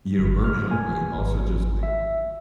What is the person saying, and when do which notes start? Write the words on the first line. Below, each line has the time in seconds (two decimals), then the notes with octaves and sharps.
You know, burnout, but, also just like
0.18 G1
0.44 F6
0.71 G#5
1.15 G#1
1.83 E5